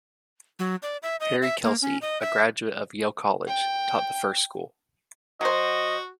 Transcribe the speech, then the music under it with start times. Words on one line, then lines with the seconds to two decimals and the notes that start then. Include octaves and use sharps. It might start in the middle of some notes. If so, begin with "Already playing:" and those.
Harry Kelsey, a graduate of Yale College, taught the first school.
0.59 F#3
0.83 D5
1.03 E5
1.20 D#5
1.42 E5
1.64 A#3
1.82 C#4
2.02 D#5
2.21 E5
3.48 G5
5.41 F#3 F#4 C5 D#5